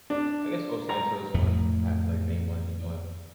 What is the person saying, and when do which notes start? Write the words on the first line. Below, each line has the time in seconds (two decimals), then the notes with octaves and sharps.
I guess ohsxnta is one, if I had to, like, name one if you know him.
0.10 D4
0.89 A#5
1.34 F2 A2 A3